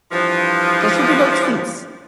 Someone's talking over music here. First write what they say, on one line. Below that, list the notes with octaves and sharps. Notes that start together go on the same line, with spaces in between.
There should be no tweets.
G2 E3 F3